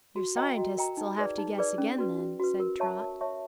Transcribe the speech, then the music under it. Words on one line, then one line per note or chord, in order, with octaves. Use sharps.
"Your scientists'll have to guess again, then," said Trot.
F#4
A#4 D#5 G5 A#5
F#4
A#4 D#5 G5 A#5
D#4
G#4 B4 D5
D#4
G#4 B4 D5
C#4
F#4 B4
C#4
F#4 B4
A#4
C#5 E5 A5 C#6
A#4
C#5 E5 A5 C#6